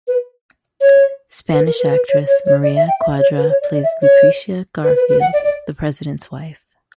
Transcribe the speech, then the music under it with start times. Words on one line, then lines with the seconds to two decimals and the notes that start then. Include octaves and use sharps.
Spanish actress Maria Cuadra plays Lucreatia Garfield, the President's wife.
0.08 B4
0.81 C#5
1.53 B4
1.66 A#4
1.79 B4
1.91 B4
2.09 C#5
2.27 C#5
2.46 C#5
2.63 D5
2.76 E5
2.88 G5
3.00 E5
3.19 C#5
3.38 B4
3.49 C#5
3.62 D5
3.74 D5
3.83 E5
4.02 C#5
4.84 B4
4.96 B4
5.09 B4
5.20 F#5
5.33 D5
5.44 D5